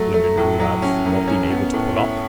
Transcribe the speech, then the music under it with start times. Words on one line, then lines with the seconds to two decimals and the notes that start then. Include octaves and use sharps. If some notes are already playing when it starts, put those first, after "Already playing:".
"The women who have--not been able to pull up?"
Already playing: F#3 A3
0.14 A3
0.37 A2
0.60 F#3
0.82 C#4
1.05 F#2
1.28 C#4
1.51 B3
1.74 A2
1.96 E4